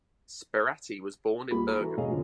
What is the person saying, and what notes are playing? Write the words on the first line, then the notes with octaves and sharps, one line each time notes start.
Sperati was born in Bergen.
D#2 G3 A#3 F4 B5
A#5 B5
E3 F#4 A4
E1 G#4 C#5 D#5 F5
F2 D3 F3 F4